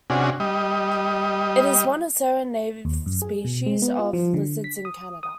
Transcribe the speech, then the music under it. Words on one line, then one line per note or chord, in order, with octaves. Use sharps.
It is one of seven native species of lizards in Canada.
C3 C#4 D4 F#4 G#4
G3 D#5
D#2
F#2
G#4
B2
G#3
B3
F4
F3
D3
B6
D#6
D#6